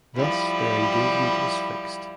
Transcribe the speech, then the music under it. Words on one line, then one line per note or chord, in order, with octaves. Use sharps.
Thus their engagement is fixed.
F3 G3 E4